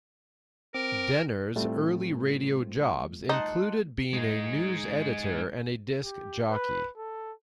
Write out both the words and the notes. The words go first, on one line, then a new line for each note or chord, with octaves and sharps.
Dehner's early radio jobs included being a news editor and a disc jockey.
C4 A#4 D6
A2 G3 A3 C4 F4
D#4 F#5 A5 C6
G#3 D#4
G4
B4
A4